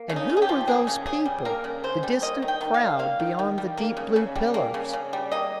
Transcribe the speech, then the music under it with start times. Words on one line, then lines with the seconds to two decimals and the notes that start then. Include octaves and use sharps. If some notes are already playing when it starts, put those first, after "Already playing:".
And who were those people, the distant crowd beyond the deep blue pillars?
Already playing: A#3
0.10 C#3
0.16 D#4
0.29 C#3
0.37 G#4
0.42 G4
0.49 F3
0.68 A#3 G#4
0.87 C#3
1.06 C#3 G#4
1.26 G3
1.45 A#3 A#4
1.64 C#3
1.84 C#3 C5
2.03 G3
2.22 A#3 D#5
2.42 D#3
2.48 G5
2.61 D#3
2.74 F5
2.81 G3
2.99 A#3 F5
3.20 D#3
3.39 D#3
3.58 G3
3.77 A#3
3.97 C#3
4.16 C#3
4.36 G3
4.54 A#3
4.74 C#3
4.93 C#3
5.13 G3
5.32 A#3 D#5